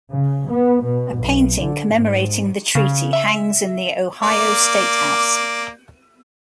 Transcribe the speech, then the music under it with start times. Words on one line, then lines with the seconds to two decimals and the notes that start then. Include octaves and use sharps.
A painting commemorating the treaty hangs in the Ohio Statehouse.
0.11 C#3
0.49 B3
0.84 B2
1.18 B1
1.62 D3
1.94 G#2
2.75 C#3
3.13 E5
4.23 A#3 D5